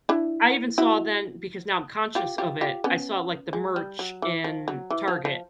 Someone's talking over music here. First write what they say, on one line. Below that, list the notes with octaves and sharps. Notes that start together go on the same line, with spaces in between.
I even saw then because now I'm conscious of it, I saw like the merch in Target.
D4 E4
E4 F#4
F4 G4
F4 G4
F4 G4
B3 C#4
G#3
G3
F#3
E3
F3
F#3
E3
F3
F3